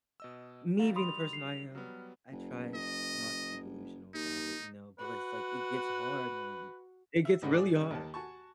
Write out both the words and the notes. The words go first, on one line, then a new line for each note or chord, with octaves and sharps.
me being the person I am, I tried not to be delusional about it, you know? But l it's like, it gets hard when it gets really hard
B2 D#5 E6
D#3 F#3 G3 F5 A#5
B5 C6 D#6 F7
C7
F#3 G3 B3 F6
F#1
D#5
D#2 D#4
F#4 B4
E5
A1 G#2 D3 D#4 B5
G#4 D5
C#3 G3
D#2 D#3 A5
F#4 G#5 A5 C#6